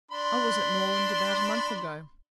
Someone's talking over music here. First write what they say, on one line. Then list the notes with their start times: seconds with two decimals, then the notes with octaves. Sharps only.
"I was at Norland about a month ago."
0.11 D4 B5 C6